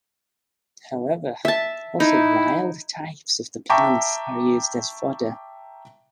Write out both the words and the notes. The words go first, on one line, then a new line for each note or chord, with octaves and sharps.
However, also wild types of the plants are used as fodder.
E5 A5
D#4 E4
E5 G5 A5 A#5 C#6 D6